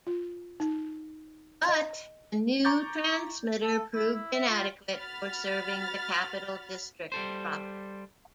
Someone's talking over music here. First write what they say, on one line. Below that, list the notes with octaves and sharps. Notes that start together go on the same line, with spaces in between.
But the new transmitter proved inadequate for serving the Capital District proper.
F4
D#4
D#5
A#5 C#6 D6 G6 A6
A4
E4
E4
E5
F4
F#4 B5 F6 A6
G3 A4 C5